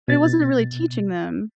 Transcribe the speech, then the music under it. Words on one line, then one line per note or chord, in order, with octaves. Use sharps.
But it wasn't a really teaching them.
B2 A6